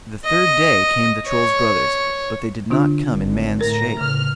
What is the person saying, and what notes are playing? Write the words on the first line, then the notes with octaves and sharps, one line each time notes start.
The third day came the Troll's brothers, but they did not come in man's shape.
D#5
C#5
D3 D4 F4
G#1
A2 A#4 A#5 A#6
C#3 F6